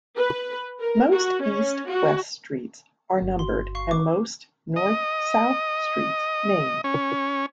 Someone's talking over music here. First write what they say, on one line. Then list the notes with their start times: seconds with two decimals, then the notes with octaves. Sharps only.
Most east-west streets are numbered and most north-south streets named.
0.17 B4
0.80 A#4
1.13 F#4
1.43 C#4
1.89 F#4
3.18 G1 F#4
3.39 C6
3.75 F5 C#6 C7
3.89 B4 D6
4.76 D#5
6.84 C#4